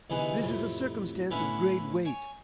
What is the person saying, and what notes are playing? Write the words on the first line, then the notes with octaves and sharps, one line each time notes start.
This is a circumstance of great weight.
C2 D3 E3 B3 D#4 G#4
F2 A2 C3
A2 D3 B3 C#4 E4 E5
C#5 G#5